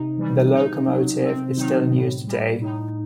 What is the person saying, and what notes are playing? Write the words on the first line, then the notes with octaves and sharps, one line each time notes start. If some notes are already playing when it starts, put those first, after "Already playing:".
The locomotive is still in use today.
Already playing: C3 D#4
E3 G3
C3 D#4
F#3
C3 C4
D#3 F#3 D#4
A2
G3
A2 D#4